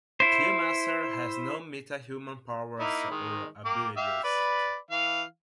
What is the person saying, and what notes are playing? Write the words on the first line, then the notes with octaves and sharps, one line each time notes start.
Cluemaster has no metahuman powers or abilities.
E4 C5
A#3 D#4 E4
D#3 G#3
A#3 G4 D6
G4 E5 F5
B4 D5 B5
E3 F5